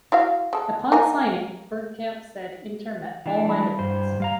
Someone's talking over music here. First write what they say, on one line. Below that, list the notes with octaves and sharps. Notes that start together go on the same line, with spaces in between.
Upon signing, Bergkamp said Inter met all my demands.
E4 F#4 F5
G#3 A4
A#3 A#4 G#5
E3 D4
G3 B5
G2 C5
G3 F5 A#5